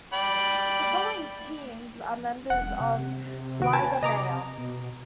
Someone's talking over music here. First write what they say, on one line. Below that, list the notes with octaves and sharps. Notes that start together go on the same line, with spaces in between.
The following teams are members of "Liga Mayor".
D5 G5 B5
E1 F#5
C3
D#2 F#4 D7
B4 G#5 A5
C3 D#5 A#5 D6
B2